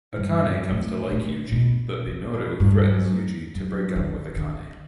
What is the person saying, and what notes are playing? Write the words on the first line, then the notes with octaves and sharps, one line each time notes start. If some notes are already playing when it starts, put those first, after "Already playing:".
Akane comes to like Yuji but Minoru threatens Yuji to break up with Akane.
G2
F#2
A2
A2
B2
C#3
B2
G2
F#2
F#2
D3
D3